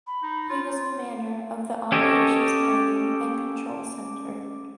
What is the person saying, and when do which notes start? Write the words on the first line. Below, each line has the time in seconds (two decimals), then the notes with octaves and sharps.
He was commander of the Operations Planning and Control Center.
0.06 B5
0.23 D#4
0.49 F4 C#5
1.92 C#4 G4 A4 C#5 D#5